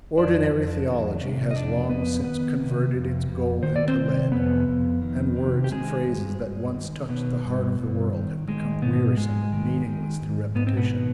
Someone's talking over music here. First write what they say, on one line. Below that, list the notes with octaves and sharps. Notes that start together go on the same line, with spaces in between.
Ordinary theology has long since converted its gold into lead, and words and phrases that once touched the heart of the world have become wearisome and meaningless through repetition.
F2 D4 D5
F2
D#3
C3
D#5
F2 D4 D5
F2 B3 B4
D#3 B3 B4
C3
F2
F2
D#3 C5
D5
C4 C5
C3
F2 B3 B4
F2
D#3
C3
G4
D#3 G#3 G#4
G2
G2
D#3
B2 D#3 B3
G2
G2
D#3
D#3 G#3
G#2 B2 B3
G#2 G#3
D#3
D#3
G#2
G#2 B3
C4
B2 B3
D#3